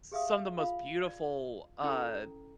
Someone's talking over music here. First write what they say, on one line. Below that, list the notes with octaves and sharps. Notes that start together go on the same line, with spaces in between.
some of the most beautiful, uh
G4 G#4 E5 F5 D#6
F4 F5 B5
D5
C#4 E4 A4 G5 A#5